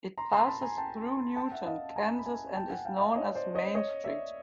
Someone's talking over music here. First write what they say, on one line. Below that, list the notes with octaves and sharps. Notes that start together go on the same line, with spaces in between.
It passes through Newton, Kansas and is known as Main Street.
A#5 C6
A#5 C6
A5 B5
G#5 A#5
G5 A5
G5 A5
E5 F#5
D#5 F5
G#5 A#5
B5
G#5 A#5
G5 A5
F#5 G#5
F5 G5
D#5 F5
C#5 D#5
C5 D5
C#5 D#5
C#5 D#5
D5 E5